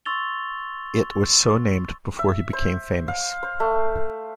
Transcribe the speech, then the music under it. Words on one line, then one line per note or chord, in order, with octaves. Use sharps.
It was so named before he became famous.
C6 C#6 E6 A6 F7 G7
E5
C5
F5
C5
A3